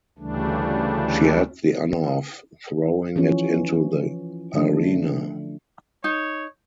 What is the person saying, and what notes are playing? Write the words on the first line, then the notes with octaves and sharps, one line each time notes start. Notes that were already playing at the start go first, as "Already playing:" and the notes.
She had the honor of throwing it into the arena.
D2 C#3 E3 G3 A3 D4
E3 F3 C#4 F4
D3 F3 A3 D4
D#4 C#5